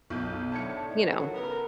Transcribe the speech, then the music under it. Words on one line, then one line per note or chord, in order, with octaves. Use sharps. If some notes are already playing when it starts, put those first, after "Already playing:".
you know.
B1 G6
A2 D3 A5 G#6 C#7
A2 D#3
F3 F#3 F#4 A4
C#3 B3 A#4